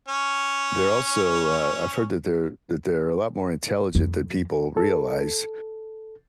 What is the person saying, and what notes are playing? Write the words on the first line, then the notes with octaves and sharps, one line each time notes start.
they're also, uh I've heard that they're that they're a lot more intelligent than people realize.
C#4 C#5
F2
A4